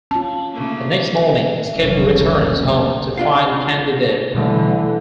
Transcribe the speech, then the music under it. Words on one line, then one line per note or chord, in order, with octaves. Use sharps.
The next morning, Skip returns home to find Candy there.
C#4 F4 A5
C#3 A3 A#3
F1 C2 D3 F#3 C#4
D4 F4 F5
B2 D3 E3 G3 A3